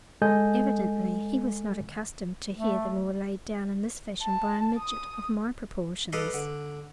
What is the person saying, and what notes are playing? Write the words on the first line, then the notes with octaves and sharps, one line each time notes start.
Evidently he was not accustomed to hear the law laid down in this fashion by a midget of my proportions.
G#3 A4 D#5 G#5 G6
A3
A5
D#6
G3 G4 A4 B4 D#5 F5
D3